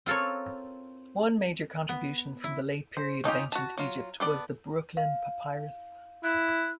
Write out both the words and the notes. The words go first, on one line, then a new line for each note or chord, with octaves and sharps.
One major contribution from the Late Period of ancient Egypt was the Brooklyn Papyrus.
C4 F4 A4 A#4 C#5
B3
E4
C5
C#4 D#4 F4 G4
F#4 A5
F#3 F4
B3 A4 D5
F5
E4 F#6